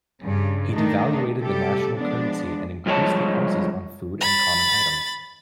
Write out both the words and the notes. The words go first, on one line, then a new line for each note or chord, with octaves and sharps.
He devaluated the national currency and increased the prices on food and common items.
G2 C#3
D#3 A3 D4 D#4
C3 G3 A3 G4 A4
F3 G#3 B3 D4
G2 F3 G#3 G#4 C#5 A5
B5 A6